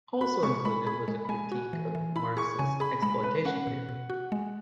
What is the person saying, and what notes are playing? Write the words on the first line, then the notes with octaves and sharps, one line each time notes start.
Also included was a critique of Marx's exploitation theory.
F#4 B5
G#3 C#6
G#3 B5
G#4 B5
G#3
B5
G#3 G#5
F#4
E3
E3
E4 B5
G#4 C#6
C#3 G#5
G#4 B5
G#3 B5
G#3 B4
C#4 F#5
B2
B2
F#4
G#3